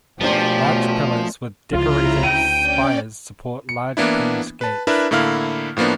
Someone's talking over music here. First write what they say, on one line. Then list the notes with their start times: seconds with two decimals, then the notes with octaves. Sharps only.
Large pillars with decorative spires support large hinged gates.
0.21 B2 F3 A3 A#3 C#4 D4 G4 C5
1.72 C#2 C#3 F3 E4 F4 A#5
2.23 D2 G5 D#7
2.56 C#4 D5
3.69 C#7
3.97 E3 A#3 B3 D4 E4
4.61 B4 A5
4.87 D4 E4 A#4 B4 E5
5.11 A2 D3 A#3 E4 F5 F6
5.77 A2 F3 A#3 B3 D4